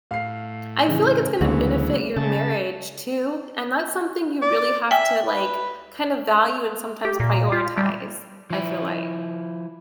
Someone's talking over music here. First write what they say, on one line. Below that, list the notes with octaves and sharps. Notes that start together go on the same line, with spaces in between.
I feel like it's gonna benefit your marriage too, and that's something you really have to, like, kinda value and sometimes prioritize, I feel like,
A2 F5 C7
C#3 E3
D2 C#3 E3 F#3 G#3 A#3 D4
C#3 A5
D5
E5 G5 G#5
B4
G4
A#2
F4
G3
F3 E4